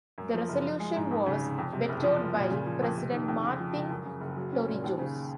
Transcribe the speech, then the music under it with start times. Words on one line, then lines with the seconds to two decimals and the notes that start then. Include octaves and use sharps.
The resolution was vetoed by President Martin Torrijos.
0.18 F#2
0.34 F3
0.48 F#1
0.65 F3
0.79 G#3
0.96 G#2
1.11 F2
1.26 C#3
1.42 F1
1.58 F2
1.73 C3
1.89 F#1
2.04 F3
2.20 A#3
2.35 A#2
2.50 C#3
2.67 F3
2.82 F2
2.98 C3
3.12 D#3
3.28 F2
3.44 C#3
3.60 F3
3.74 C#2
3.91 F#2
4.05 C#3
4.21 F#1
4.37 F#3
4.53 C#4
4.68 A#2
4.84 D#2
4.99 C#3